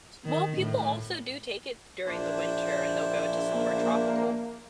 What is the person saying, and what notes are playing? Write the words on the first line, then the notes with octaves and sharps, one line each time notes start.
Well, people also do take it during the winter, and they'll go to somewhere tropical.
D#3
A2
A#1 D4 E4 C5
A#3